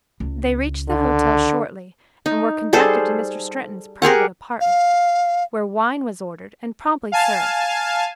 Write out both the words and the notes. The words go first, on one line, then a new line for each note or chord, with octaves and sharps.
They reached the hotel shortly and were conducted to Mr. Stretton's private apartment, where wine was ordered, and promptly served.
C#2
D3
D#4
G3 G#4 A4 C5
G4 G#4 A#4 F#5
F5
F5 G#5 A5